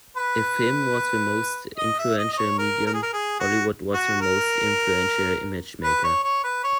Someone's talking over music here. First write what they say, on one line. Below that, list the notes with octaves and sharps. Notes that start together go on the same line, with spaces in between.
If film was the most influential medium, Hollywood was the most influential image maker.
B4
D#5
E5
D#5
D#5
C#5
A#4
A#4
G#4
A#4
G#4
F#4
F#4
A#4
B4
C#5
C#5
B4
C#5